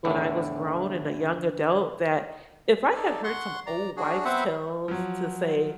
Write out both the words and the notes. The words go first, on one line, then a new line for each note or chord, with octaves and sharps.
when I was grown, and a young adult, that if I had heard some old wives' tales to say,
E2 A2 D3
D#4 A4 D5
F#5 C6 C#6
D5 A#5
D4 F#4 G#4
B3 C4 B4 C5 E5 F#5
F3 F#3